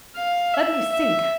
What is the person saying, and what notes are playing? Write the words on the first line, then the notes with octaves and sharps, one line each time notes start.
"Let me think."
F5
E5
E5